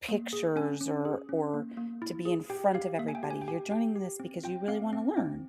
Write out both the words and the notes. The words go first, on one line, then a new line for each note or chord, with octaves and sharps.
pictures or or to be in front of everybody, you're doing this because you really wanna learn,"
A#3
G#4
C#4 G#5
C#4
G#4
C#4
A#3
A#3
E4
G#4
G4 G5
G4 F5
A#3 E5
G#5
G5
G4
G#5
G5
G4 G#5
G4 G5
G4
C4
F4 G5
C4 F5
C4
C4